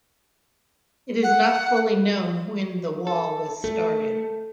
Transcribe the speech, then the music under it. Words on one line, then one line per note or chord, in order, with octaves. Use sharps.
It is not fully known when the 'wall' was started.
F#5
A4
A3 A4